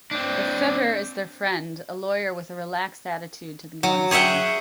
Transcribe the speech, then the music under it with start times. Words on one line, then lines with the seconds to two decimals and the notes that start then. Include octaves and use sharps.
Lafever is their friend, a lawyer with a relaxed attitude to the goings on.
0.11 C4 D4
3.83 F#3
4.11 G#4 C#5 E5 F#5 G5